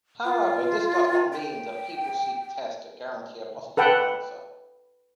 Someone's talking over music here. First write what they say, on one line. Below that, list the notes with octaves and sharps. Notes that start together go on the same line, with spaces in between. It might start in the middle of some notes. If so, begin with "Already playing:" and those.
However, this does not mean that people seek tests that guarantee a positive answer.
F4
G5
A4 B4 F#5 G5